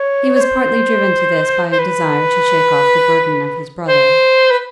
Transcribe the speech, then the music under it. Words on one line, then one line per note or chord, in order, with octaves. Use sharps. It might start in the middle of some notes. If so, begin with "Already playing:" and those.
He was partly driven to this by a desire to shake off the burden of his brother.
Already playing: C#5
C#5
C5
C5
B4
C5
B4